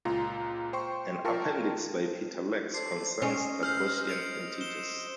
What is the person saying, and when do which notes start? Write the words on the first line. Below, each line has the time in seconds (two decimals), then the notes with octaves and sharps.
An appendix by Peter Lax concerns the Gaussian integers.
0.05 C#2 A#2 F4 A#5
0.73 C5 G5 C6 C#6
1.25 F4 A#4 G5 A5 C#6
2.74 A4 C5 D5 C7
3.22 C#4 C5 D#5
3.63 E6 F6 G6 C7
4.09 C#7 D7 F7
4.61 E7 G7